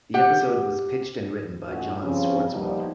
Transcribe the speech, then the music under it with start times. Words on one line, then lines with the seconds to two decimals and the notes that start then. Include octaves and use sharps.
The episode was pitched and written by John Swartzwelder.
0.14 G4 F#5
1.67 A2 C#4 D#4 F4 F#4
2.02 G2 C#3 F3 C4 C#4
2.52 G2 A#2 F3 G3 B3 D#4